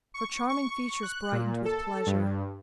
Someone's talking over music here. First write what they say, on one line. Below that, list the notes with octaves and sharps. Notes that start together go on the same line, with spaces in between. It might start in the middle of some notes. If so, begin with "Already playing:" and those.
Her charming features brightened with pleasure.
C#6
C#6
F#6
A#2
A4
G2